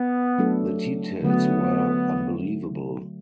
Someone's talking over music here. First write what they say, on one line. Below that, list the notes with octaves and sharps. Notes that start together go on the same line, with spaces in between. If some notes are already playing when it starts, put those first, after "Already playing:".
The details were unbelievable.
Already playing: B3
F#3 A3 D4 A4
D3 F#3 A3 B3